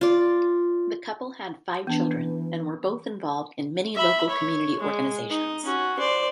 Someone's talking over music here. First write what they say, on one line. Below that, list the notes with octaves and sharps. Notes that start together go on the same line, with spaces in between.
The couple had five children and were both involved in many local community organisations.
F4 D5
E3 B3 D4
E5 B5
C#5
G#3
D#4
C#4 F#4
C5 D5